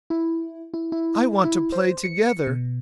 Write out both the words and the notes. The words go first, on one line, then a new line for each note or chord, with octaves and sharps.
I want to play together.
E4
E4
E4
E4
C5
C#7
B2